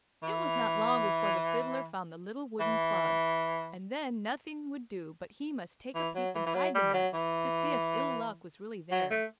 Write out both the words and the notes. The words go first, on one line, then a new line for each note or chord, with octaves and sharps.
It was not long before the Fiddler found the little wooden plug, and then nothing would do but he must take a peep inside the nut to see if Ill-Luck was really there.
E3
E3
E3
F#3
E3
E3
F#3
G3
F#3
E3
F#3
A3